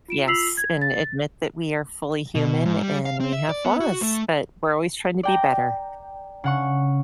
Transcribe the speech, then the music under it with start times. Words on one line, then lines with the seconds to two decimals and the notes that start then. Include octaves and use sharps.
yes, and admit that we are fully human and we have flaws, but we're always trying to be better.
0.08 F4 D7 E7
0.27 F4 E6 B6 C7 F7 F#7
0.57 G#6
0.82 A6
2.35 B2
2.65 G#2
2.83 G3
3.05 F5
3.20 C4
3.33 E5
3.49 D5
3.65 B3
3.80 F#4
4.01 A3
5.23 D5 G5 A#5
6.44 C#3 F#5 C#6